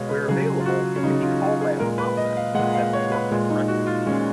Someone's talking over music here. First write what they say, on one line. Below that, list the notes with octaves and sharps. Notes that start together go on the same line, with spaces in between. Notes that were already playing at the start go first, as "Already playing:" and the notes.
Where available, it can be called by a process to set its working directory.
Already playing: B2 G#3 C#5 D#5 F5
B4
C#3 F#3 G#4
F4
F#4
C#4
C#3 F#3 D#4
F4
F4
G#4
A#2 G#3 A#4
B4
D#5
F5
A#2 G#3 F#5
F5
C#5
B4
A#2 G#3
D#4
F#4
F4
A#2 G#3 C#4